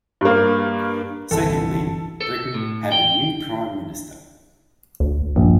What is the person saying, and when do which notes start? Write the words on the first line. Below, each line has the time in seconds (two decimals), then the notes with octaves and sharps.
Secondly, Britain had a new Prime Minister.
0.21 G2 A#3
1.31 G1 C2 E3 A4
2.21 A4
2.54 A2
2.92 G5
5.00 D2
5.36 A#1 G2